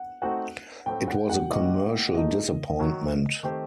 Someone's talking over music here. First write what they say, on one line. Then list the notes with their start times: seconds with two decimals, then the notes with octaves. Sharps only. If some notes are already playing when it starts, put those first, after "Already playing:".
It was a commercial disappointment.
Already playing: F#5
0.22 A3 C4 D#4 F#4 F#5
0.86 A2 A3 C4 G5
1.08 F#5
1.29 F#5
1.51 A#2 G3 A#3 F#4 D#5
2.15 A#2 A3 D#4 D#5
2.79 F#2 D#3 F#3
3.43 D#3 A3 C4 G4 C5